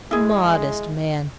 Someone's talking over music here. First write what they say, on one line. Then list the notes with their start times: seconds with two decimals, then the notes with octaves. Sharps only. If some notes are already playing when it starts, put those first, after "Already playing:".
'Modest man!
0.11 G#3 E4 G#4